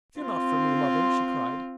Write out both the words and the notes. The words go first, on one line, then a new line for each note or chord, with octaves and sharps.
'Fear not for me, mother,' she cried.
C4 F4